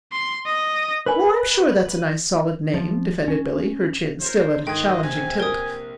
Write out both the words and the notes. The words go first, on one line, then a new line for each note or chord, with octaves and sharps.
"Well, I'm sure that's a nice, solid name," defended Billy, her chin still at a challenging tilt.
C6
D#5
A#4 B4 D5 G#5
F3
C#4
A#4 C5 C#5 E5
G#2 D#3 D#5 G5 G#6
A#1 C3 C4 G#5
A#4 G5 D#6